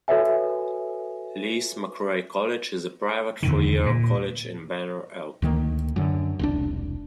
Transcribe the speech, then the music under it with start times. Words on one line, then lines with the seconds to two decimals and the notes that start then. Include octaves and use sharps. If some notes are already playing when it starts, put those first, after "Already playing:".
Lees-McRae College is a private four-year college in Banner Elk.
0.08 F#4 A4 B4 C#5 E5 G#5
3.43 E2 D3 D#3
3.85 A#2
5.42 D2 D#3 A#3
5.96 F#2 D3
6.39 E1 C2 D4